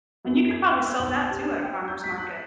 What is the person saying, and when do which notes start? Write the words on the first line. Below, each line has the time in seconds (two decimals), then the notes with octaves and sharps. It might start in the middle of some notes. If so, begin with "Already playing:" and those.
and you could probably sell that too at a farmer's market.
0.25 F#2
0.51 G#6
0.70 G5
0.86 E6
0.99 B1
1.31 G4
1.44 D4
1.62 G5
1.88 G6
2.04 B6
2.18 F#6